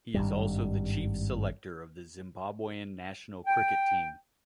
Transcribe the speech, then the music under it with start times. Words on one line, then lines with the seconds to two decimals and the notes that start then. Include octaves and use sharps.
He is also the chief selector of the Zimbabwean national cricket team.
0.14 G#1 G2 G3
3.47 G5